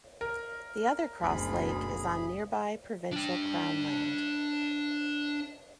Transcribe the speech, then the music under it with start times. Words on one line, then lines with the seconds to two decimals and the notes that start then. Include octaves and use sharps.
The other Cross Lake is on nearby provincial Crown land.
0.21 A#4
1.23 F#1 D2 B2 G#4 B5
3.12 D4 G5